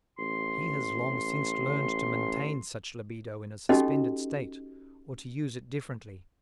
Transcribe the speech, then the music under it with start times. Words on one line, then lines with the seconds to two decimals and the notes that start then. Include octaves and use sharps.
He has long since learned to maintain such libido in a suspended state or to use it differently.
0.19 A1 C6
3.69 C#4 D#4 F#4 G4 A4 D#5